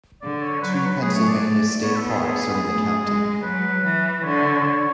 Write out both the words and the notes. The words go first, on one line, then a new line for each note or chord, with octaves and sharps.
Two Pennsylvania state parks are in the county.
D3 D5
C#5
F#3 B4
C#5
B4
A3 G#4
C#5
D5
A3
B3 C#5
A4
G#4
G#4
A3
G#3
F#3 B4
E3
D3 C#5